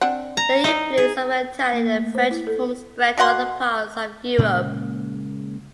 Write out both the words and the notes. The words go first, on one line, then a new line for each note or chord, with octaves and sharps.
The influence of the Italian and French forms spread to other parts of Europe.
C4 D4 F#5
A#5
D#4 D5 E5
G#4
A#3
A3
C5
E4
A4
B2 F#4 F#5 C6
A#2 C#3 G#3 A#3